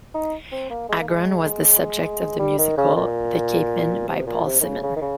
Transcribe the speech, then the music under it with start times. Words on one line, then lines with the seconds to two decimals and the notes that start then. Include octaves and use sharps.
Agron was the subject of the musical "The Capeman" by Paul Simon.
0.15 D#4
0.52 C4
0.70 A#3
0.89 G#3
1.01 A#3
1.08 G#3
2.39 G3
2.58 D#3
2.77 C#3
2.96 A#2
4.09 C3
4.26 A#2
4.45 C3
4.60 D#3
4.64 C#3
4.83 C#3
4.96 D#3
5.01 C#3